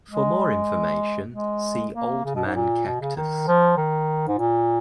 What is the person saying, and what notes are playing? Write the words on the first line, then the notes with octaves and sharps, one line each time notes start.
For more information see Old-Man Cactus.
G#3
G#3
A#3
C#3
B2
G#2
A#2
B2
C#3
D#3
F3
D#3
G#2
A#2